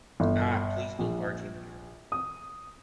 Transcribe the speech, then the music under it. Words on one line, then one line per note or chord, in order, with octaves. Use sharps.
Ah! Please, don’t barge in here! ...
G1
A#1
D#6